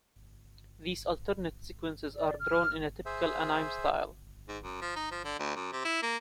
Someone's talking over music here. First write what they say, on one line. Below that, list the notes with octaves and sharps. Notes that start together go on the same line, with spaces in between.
These alternate sequences are drawn in a typical anime style.
D5
F6
G#4 C5 E5
G#2
F#2
F3
D#4
F3
D3
D2
F#2
C3
E4
A#3